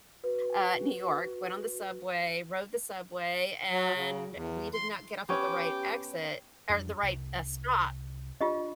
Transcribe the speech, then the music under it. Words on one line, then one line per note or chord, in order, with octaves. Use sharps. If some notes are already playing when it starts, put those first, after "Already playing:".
uh, New York, went on the subway, rode the subway, and we did not get off at the right exit er, the right, uh, stop
F#4 B4
F#3
C#3
E2
C6
B3 C#4 G4 C#5
F2 G3 D4
C2
D4 F4 G4 D#5